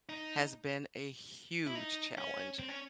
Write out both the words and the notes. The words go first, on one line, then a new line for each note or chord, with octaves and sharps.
has been a huge challenge.
D#4
E4
D#4
C#4
C4
C#4